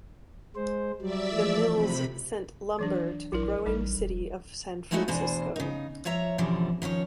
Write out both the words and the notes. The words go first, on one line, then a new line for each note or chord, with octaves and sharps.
The mills sent lumber to the growing city of San Francisco.
G#3 C5
F#3 G3 D5 E5 E6
E3 F3 A3
C3 B5
E3 F#3 D4
A#1 F#3 E4 A#4
A1 G3 D#4 A4
E1
F#3 G#3 A3 D#4 E4 F#4
E2 B2 D4 C5 G#5
C#3 D#4
F3 C#5 E5 A#5
F#2 B2 D3 E3 F3 G3
D#3 F3 C#4 C#5